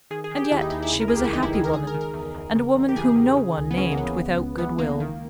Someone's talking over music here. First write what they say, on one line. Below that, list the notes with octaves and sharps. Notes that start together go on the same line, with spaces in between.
And yet she was a happy woman, and a woman whom no one named without good-will.
D#3 G#4
G#4
D#3
G4
D#2 E4
D#4
D#2 D#4
E4
C#3
A#4
G#4
C#2 G4
E4
E3 D#4
E4
C#2 G#4
A#4
D#3 G#4
A#4
D#3
A#4
E2
E2
C#3
E2
G4
E3 G#4
E2
C#3
C#2
B3
E3 C#4
A#3
C#2 B3
C#3
C#2
E3 B3
C#2 A#3
D#3